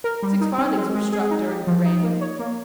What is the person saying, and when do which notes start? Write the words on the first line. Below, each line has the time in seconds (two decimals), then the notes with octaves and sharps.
Six farthings were struck during her reign.
0.04 A#4
0.23 G3
0.41 D#4
0.58 C4
0.77 G#3
0.95 G#3
1.12 G#4
1.31 D#4
1.49 G4
1.67 F3
1.85 D#4
2.03 A#3
2.21 C#5
2.39 A#3